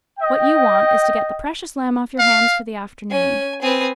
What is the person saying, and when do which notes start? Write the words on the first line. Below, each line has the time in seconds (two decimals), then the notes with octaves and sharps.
What you want is to get the precious Lamb off your hands for the afternoon.
0.19 D#5 G5
2.19 F5
3.11 C#4 G#5
3.62 C4 B4 G#5 D#6